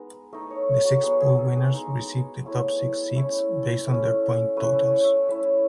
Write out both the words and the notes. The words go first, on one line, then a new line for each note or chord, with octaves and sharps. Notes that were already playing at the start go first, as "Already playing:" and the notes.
The six pool winners receive the top six seeds, based on their point totals.
Already playing: G#3 B3 D#4
A3 D#4 D#5
C#5
F#4
F#3 B3 D#4 G#4
G#4
A4
G#4
G#3 D#4
F#3 A3 E4
A3 C#4 E4
A3 C#4 E4
A3 C#4 E4 B4
C#5
E5
A3 C#4 E4 E5